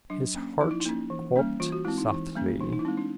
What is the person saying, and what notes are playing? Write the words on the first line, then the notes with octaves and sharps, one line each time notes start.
His heart quopped softly.
F#3 D4
A#3 C#4
F3 D#4
E4
D#4
A#3 C#4
E3
G3 A#3 C#4
E3 F4
F#4
G#3 C4 E4
D#4
E3
G3 A#3 C#4
E3 D#4
D#4
E4
G#3 C4 D#4
D4